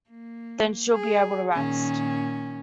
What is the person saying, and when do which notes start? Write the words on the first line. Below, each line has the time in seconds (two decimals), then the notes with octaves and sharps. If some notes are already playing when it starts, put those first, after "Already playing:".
Then she’ll be able to rest.
0.10 A#3
0.92 G#4
1.53 A#2 D#3 C#4